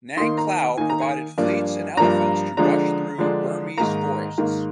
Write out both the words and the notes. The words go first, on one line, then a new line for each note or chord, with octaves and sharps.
Nangklao provided fleets and elephants to rush through Burmese forests.
D#3 A#3 D#4 C6
A#5
D#3 A#3 D#4 G#5
A#5
G#5
G2 F3 A#3 D4
G2 F3 A#3 D4 A#5
D3 F3 G#3 D4 A#5
D3 F3 G#3 D4
G#2 D#3 A#3 A#5
G#2 D#3 A#3